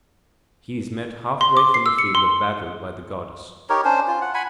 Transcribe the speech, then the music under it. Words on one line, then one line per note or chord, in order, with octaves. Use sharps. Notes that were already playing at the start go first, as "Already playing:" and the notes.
He is met half-way from the field of battle by the goddess.
C6
D6
C7
E6
C#7
C6
D#4 G4 A#4 C#5
C#4 D4 C5
F4
F#5
F#5 G#5 B5